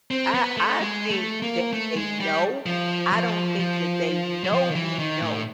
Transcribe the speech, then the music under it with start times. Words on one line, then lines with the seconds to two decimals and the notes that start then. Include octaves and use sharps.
I I think that they know, I don't think that they know we know
0.11 C4
0.34 B3
0.57 A3
0.80 G#3
1.11 A3
1.42 A#3
1.73 A3
1.96 G#3
2.20 G3
2.66 F3
3.13 F3
3.59 F3
4.44 F#3
4.52 F3
4.71 D#3
4.75 E3
4.99 D#3
5.22 A2